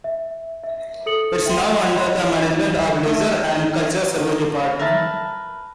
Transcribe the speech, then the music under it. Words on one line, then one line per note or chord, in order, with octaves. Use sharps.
It is now under the management of the Leisure and Cultural Service Department.
E5
E5
A4 D#6 C#7 F#7
E5 G5 C6
C#5 D#5 B5 C6
A3
A#4 B4 E5 A5